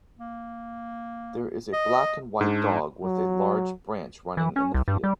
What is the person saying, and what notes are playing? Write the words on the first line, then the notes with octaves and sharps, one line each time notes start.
There is a black and white dog with a large branch running in the field.
A#3
D#5
G#2 D4
F#3
E3
C#4
C2
G2
G3